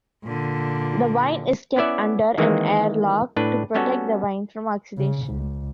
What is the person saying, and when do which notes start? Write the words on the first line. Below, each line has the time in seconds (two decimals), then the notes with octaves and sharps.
The wine is kept under an airlock to protect the wine from oxidation.
0.24 A#2 D3
1.76 B3 C#4 E4 D5 E5 F#5
2.38 D#3 E3 G#3 A#3 C4
3.36 A2 D4 B4
3.74 G3 B3 C#4 F#4 A4
4.97 C#3
5.27 C#2